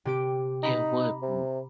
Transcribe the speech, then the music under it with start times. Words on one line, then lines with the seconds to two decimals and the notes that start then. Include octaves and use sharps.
It would be.
0.05 C3 G4 D7
0.63 D#4 A#5 B5
1.22 C3